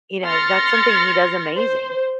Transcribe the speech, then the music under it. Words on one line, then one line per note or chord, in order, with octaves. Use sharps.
you know, that's something he does amazing.
C6 F6 A6 A#6 C#7
C5